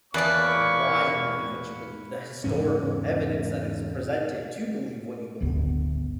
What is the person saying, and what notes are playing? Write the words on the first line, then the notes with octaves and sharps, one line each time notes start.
why you believe what you believe, the historical evidence that is presented to believe what you believe.
E2 A#3 B4 C#5 D5 A5 C#6
E2 G#2 C#3 C#4
D1 G1 D2 B3